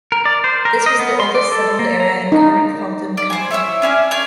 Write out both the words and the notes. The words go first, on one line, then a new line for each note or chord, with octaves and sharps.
This was the oldest settled area in current Fulton County.
A#4
D5
C5
A#4
D#5
B3
C6
D5
A4
A#3
A#5
D#4
D5
C5 G#5
E4 C#5 E5 E6
C#4 D4 G#5
C#5 D5 G#5